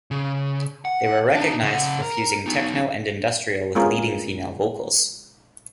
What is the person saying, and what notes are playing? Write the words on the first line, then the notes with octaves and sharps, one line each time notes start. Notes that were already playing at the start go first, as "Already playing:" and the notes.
They were recognized for fusing techno and industrial with leading female vocals.
C#3
F#5
D4 D#4
C#3 F#5
A#4
B3 D#4
G#3 B3 C#4 F4 G#4 A#4